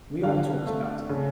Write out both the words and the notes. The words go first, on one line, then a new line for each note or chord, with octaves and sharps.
We all talked about it.
D3 F5
A3
C#3